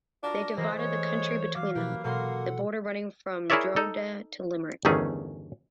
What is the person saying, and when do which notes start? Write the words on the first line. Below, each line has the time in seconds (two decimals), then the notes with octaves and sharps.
They divided the country between them, the border running from Drogheda to Limerick.
0.23 D4 F4 F#4 A#4
0.57 F#2 D3 E3 G#3 A#3 C5
0.78 A3 C#5
1.55 F#3 F5 D6
1.75 B2 F3 A#3 G4 B4
2.04 B2 F#3 A#3 A4 F#5 C6
3.50 E4 G#4 A#4 C#5 D5 E5
3.76 D#4 A4
4.85 G1 E2 D#3 A3 C#4 G#4